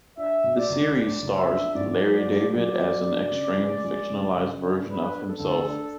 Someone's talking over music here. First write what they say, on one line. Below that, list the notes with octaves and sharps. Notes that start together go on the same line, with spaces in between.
The series stars Larry David as an extreme fictionalized version of himself.
D4 E5
B2
D5
C#2
D4 D5
C#2
E5
D4
G#2 D5
F#3
D5
D4
F#3 D5
F#3
D4
C#3
G#3
G#3
C#3
C#3
D4
D4 B4
D4
A4
D2
D4